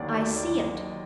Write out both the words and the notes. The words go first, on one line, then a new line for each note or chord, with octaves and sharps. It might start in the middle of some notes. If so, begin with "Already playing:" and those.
I see it!
Already playing: D#2 D3 F#3 D5
D5
D5
D#5